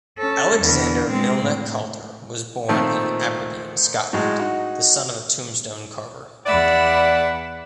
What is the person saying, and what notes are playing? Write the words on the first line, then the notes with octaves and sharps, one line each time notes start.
Alexander Milne Calder was born in Aberdeen, Scotland, the son of a tombstone carver.
C#4 A4
E2 D3
G#3 C4
A2
A#2 D#3 F3 A3 C4
A2 F#3 G#3
D#4 F#4
E2 D5 E5 F#5 B5